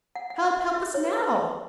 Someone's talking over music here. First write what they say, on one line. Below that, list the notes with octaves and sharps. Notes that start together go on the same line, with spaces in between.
Help, help us now!'
F#5
F#5
E5
F#5
E5
C#5
B4
B4